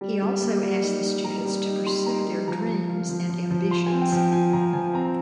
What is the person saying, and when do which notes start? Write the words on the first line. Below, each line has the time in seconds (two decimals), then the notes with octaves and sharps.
He also asked the students to pursue their dreams and ambitions.
0.01 G3
0.22 G3
0.42 A#3
0.63 G3
0.83 D#4
1.04 D#4
1.24 G3 A#5
1.45 G3
1.65 D#4
1.86 G3 C6
2.06 D#4 A#5
2.27 G3
2.48 F3 A#5
2.68 F3
2.89 F4
3.09 F3
3.29 F3
3.51 F3
3.70 F4 C6
3.86 G#5
3.92 C4
4.02 G5
4.12 F3
4.17 G5
4.32 F4 G#5
4.53 F3 A#5
4.73 F3 G#5
4.93 C4 A#5